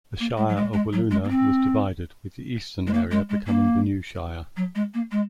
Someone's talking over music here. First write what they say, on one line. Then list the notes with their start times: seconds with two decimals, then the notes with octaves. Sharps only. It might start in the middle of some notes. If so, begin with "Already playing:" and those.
The Shire of Wiluna was divided with the eastern area becoming the new Shire.
0.20 A#3
0.37 G#3
0.49 F#3
0.56 G#3
0.73 G#3
0.93 F#3
1.11 G#3
1.24 A#3
1.29 C4
2.87 G#3
2.93 A#3
3.11 G#3
3.29 G#3
3.47 A#3
4.56 F#3
4.75 G#3
4.94 A#3
5.11 G#3